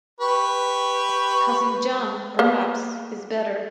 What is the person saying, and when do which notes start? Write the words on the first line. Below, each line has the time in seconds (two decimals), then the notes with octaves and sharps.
Cousin John, perhaps, is better.
0.21 G4 B4 C#6
2.39 A#3 B3